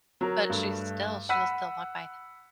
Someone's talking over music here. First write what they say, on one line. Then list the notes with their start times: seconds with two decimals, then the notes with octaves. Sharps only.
But she's still she'll still walk by,
0.21 F#3 A#4
0.50 G2 A3
1.29 F#5 B5 E6 F#6 B6 D#7